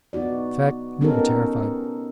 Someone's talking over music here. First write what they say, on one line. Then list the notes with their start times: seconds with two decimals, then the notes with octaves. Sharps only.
In fact, we were terrified.
0.13 B3 D#4 F#4 D5
1.01 B3 C#4 D#4 G4 A4 A#4